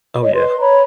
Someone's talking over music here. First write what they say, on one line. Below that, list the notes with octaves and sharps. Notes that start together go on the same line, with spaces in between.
Oh, yeah.
C#5 D#5
B4 C6
C#5 A#5 B5